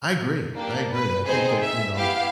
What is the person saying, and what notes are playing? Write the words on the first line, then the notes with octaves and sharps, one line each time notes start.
I agree, I agree, I think that, you know,
A#3 D4 G4
B4
C4 D#4 G#4 C5
E5
B3 E4 G4 F5